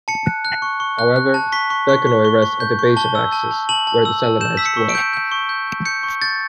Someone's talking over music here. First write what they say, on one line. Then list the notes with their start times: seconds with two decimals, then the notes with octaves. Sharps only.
However, Vecanoi rests at the base of Axis, where the Selenites dwell.
0.08 A5 C#7
0.26 F#6
0.45 F#6
0.62 C#6
0.80 C#6
0.99 F#6
1.16 F#6
1.34 A5
1.52 C#6 B6
1.70 C#6
1.89 C#6
2.07 C#6
2.25 C#6
2.42 C#6
2.60 G6
2.79 C#6
2.97 A5 G7
3.15 E6
3.32 A5
3.51 A5
3.69 A5 F#7
3.87 A5
4.05 E6
4.23 A5
4.41 G6 E7
4.57 E6 B6
4.65 C#7
4.77 C#6
4.89 D7
4.95 G6
5.13 G6
5.31 C#6
5.49 G6
5.67 G6
5.85 G6 C#7
6.03 C#6
6.21 G6 A6